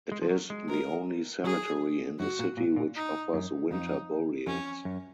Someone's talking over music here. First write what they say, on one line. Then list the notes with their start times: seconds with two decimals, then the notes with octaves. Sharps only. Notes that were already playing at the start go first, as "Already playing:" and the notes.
It is the only cemetery in the city which offers winter burials.
0.12 G#3
0.22 F3
0.30 F#3
0.50 G#3
0.68 A#4
1.44 F#3 G#4
2.19 F#2 F#4
2.39 A#2
2.57 A#2
2.76 A#2
2.96 D#4
3.34 F#2
3.71 F2 D#4
4.46 F2 C#4
4.85 F#2